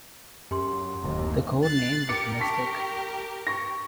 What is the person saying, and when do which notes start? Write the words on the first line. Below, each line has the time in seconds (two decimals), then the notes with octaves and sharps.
The code name was Mystic.
0.51 F#2 G4 C6
1.03 D1 D#2
1.62 F#6 A6 C7
2.09 G4 A#4 D6 C#7
2.40 A5 C#6 B6
3.47 C#6 A#6